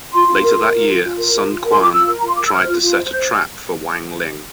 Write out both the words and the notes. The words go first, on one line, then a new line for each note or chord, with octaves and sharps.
Later that year, Sun Quan tried to set a trap for Wang Ling.
F4 C6
F4
A#4
A#4
F4
F4
F4
A#4
F4
F4
A#4
C6
F4 D6
F4 E6
A#4
A#5
F4 C6
A#4 D6
E6
C5 F6
F4
F4
C5
C5 G6